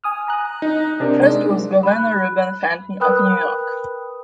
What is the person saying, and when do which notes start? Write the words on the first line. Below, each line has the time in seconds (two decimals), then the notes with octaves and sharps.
First was Governor Reuben Fenton of New York.
0.04 G#5 D#6 F6
0.28 A#5 D#6 F#6
0.62 D#4
1.00 C3 D4 A#4
1.22 G#3 D#4 D5
1.83 B5 F#6
3.00 A#4 B4 G5 B5 D#6 F#6